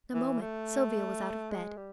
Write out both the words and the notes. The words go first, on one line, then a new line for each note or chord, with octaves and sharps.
In a moment Sylvia was out of bed.
E3
A3
G#3
G3